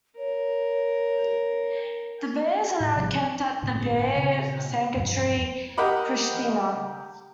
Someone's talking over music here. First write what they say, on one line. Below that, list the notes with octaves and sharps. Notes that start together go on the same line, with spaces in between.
The bears are now kept at the Bear Sanctuary Prishtina.
A#4 C#5
A2
A1 C3 F3 G3
C4
G1 A2 D3 C4
A#2 C#3 C4
E1 E2 G2 F3
G4 A#4 D#5 F#5 B5 D6